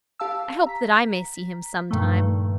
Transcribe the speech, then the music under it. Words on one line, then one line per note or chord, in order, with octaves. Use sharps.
I hope that I may see him sometime.
G4 F5 A5 E6
A#5 B6
G2 A#2 D#3 F3 A3